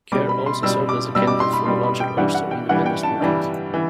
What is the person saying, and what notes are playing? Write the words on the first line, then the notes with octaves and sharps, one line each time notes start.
Kerr also served as a candidate for the larger Ulster Independence Movement.
B2 G3 D6
B5
C6
B2 G3 E6
D6
B2 G3 E6
D6
C6
B5
B2 G3 C6
B5
G5
G2 E3 G3 F#5
F#5
G5
G2 E3 G3 F#5
G5
A5
G2 E3 G3
E3